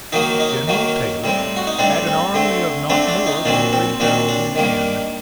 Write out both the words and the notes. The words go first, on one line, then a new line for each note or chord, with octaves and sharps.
General Taylor had an army of not more than three thousand men.
D#3 F#3 A#3 D#4
D#4
D#3 F#3 A#3
A2 G3 C4
F#4
D#4
A2 G3 C4 D4
C4
D3 A3 C4
D3 A3 C4 D4
D4
D#4
A#2 F#3 C4 D4
C4
A#2 F#3 C4 D4
D4
D#3 G3 A#3